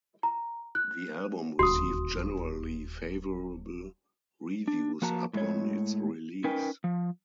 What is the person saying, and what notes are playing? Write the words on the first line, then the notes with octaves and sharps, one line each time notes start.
The album received generally favorable reviews upon its release.
A#5
F#6
D#1 D2 F#4 C6 D#6
D4
F3 A#3 F#4 A5 A#5
A2 G#3 C#5
C#4 D#4 A#4 B4 G5 G#5
F3